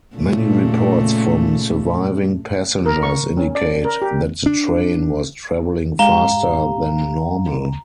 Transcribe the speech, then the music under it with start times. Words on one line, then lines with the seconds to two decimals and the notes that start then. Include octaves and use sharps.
Many reports from surviving passengers indicate that the train was travelling faster than normal.
0.16 A#2 C#3 A3
2.86 A#4
3.03 C#6
3.37 C#4
3.55 D5
3.85 A#4
4.02 G4
4.46 D4
5.99 G#2 G4 F5 A#5 G7